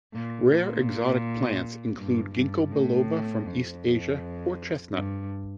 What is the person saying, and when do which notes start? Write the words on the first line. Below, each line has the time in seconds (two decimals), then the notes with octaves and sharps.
Rare exotic plants include Gingko biloba from East Asia or chestnut.
0.14 A#2
0.50 A#2
1.98 G2
2.35 G2
2.72 A2
3.45 F2
4.93 G2